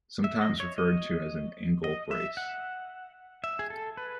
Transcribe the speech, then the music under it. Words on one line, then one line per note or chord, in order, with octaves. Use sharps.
Sometimes referred to as an angle brace.
E5
D#5
C#5
D#5
D#5
E5
F#5
E5
G#4
A4
B4